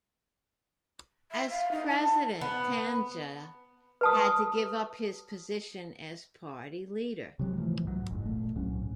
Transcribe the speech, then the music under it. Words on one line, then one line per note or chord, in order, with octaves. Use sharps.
As President, Tandja had to give up his position as party leader.
E5
F5
D#4
A5
B3
B4 A5 D#6
C3 F#3 G#3
E3 F3 A3
C2 G#2 E3 F#3
F#1
A#2 A3
C2 G#2 F#3 C#4